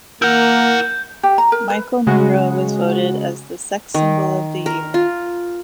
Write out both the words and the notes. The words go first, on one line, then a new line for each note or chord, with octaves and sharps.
Michael Monroe was voted as "The Sex Symbol of the Year".
A#3 E4 A#4 F#5 G6
G4
A#5
A#4
B4
C#3 G#3 F#4
D#3
A#4
F4